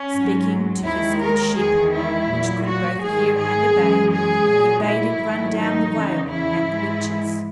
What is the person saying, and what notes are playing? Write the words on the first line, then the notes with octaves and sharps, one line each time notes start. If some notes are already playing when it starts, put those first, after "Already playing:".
Speaking to his good ship, which could both hear and obey, he bade it run down the whale and the witches.
Already playing: C#4
G#2 F#3
D#2 D#3 G#3 E4
A#4
E2 D#3 G#3 G#4
E4
A#2 F#3
F#4
G#2 D#3 G#3 G#4
G#4
F#2 E3 G#3
G#4
A#2 F#3
E4
G#2 D#3 F#3
D#4
E2 C#3 E3
E4
G#2 E3 G#3